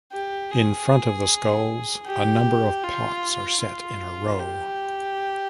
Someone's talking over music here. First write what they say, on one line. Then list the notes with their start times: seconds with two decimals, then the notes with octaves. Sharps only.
In front of the skulls, a number of pots are set in a row.
0.12 G4
0.51 G#4
2.06 G4
2.84 F4
3.61 F4
4.39 G4